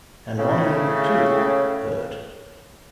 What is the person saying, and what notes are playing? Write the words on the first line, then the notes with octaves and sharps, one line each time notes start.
And Ronnie, too, heard.
A2 C#3